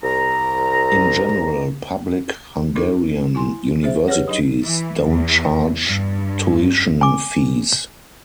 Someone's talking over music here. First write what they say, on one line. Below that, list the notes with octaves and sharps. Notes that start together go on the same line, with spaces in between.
In general, public Hungarian universities don't charge tuition fees.
C2 A#5
D4 D#4 F4 G#4 A#4
E4 G#5 C6
G#4 C5 E5
G4 G#4 B4 C#5 F#5
F#3 D4 D#4 D#5
E3
E2
G2
G#5 D6